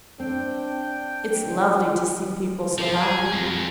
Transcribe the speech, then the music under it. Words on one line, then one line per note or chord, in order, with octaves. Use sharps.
It's lovely to see people so happy.
C4 D4 G5
F3 C4
G#4
F2